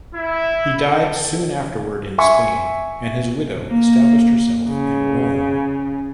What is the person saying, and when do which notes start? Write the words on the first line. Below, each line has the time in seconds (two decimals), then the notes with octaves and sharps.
He died soon afterward in Spain, and his widow established herself in Rome.
0.14 E4
0.87 A4
2.18 E5 G#5 C#6
3.67 A#3
4.69 C#3